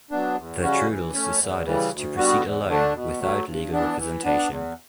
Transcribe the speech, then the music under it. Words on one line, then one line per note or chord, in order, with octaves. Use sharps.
The Trudels decided to proceed alone, without legal representation.
F#3 B3 D4
E2
C#3 G3 C#4 F#4
E3
A3 C#4
E2
C#3 E3 G3
D2
D3 G3 B3 F#4
E2
D3 A3 D4
B2
F#3 A3
G2
E3 B3 D4
E3
B3 D4
E2